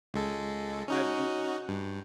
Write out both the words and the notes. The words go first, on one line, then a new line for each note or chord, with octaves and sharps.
Now, do you
C#2 G#3 A4
C#4 D#4 F#4
G2